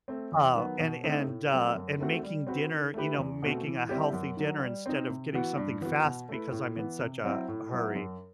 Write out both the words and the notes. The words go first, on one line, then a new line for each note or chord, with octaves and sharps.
uh, and and, uh, and making dinner, you know, making a healthy dinner instead of getting something fast because I'm in such a hurry.
A3 C4
E2
D#3 F#3 B3
B2
A3 C4 D#4
A2
F#3 A3 C4
F#2
D#3 A3 C4 F#4
G3
C4 F#4 B4
D#3
A3 E4 G4 B4
E2
B2 A3 C4 F#4
E3
G3 C4 E4 G4
F#2
D#3 F#3
G3
C4 D#4
C3
E3 B3 F#4
G2
E3 B3 F#4
B2
A3 E4 B4
A2
E3 B3
C3
F#3 C4 E4
A2
F#3 B3 E4
F#2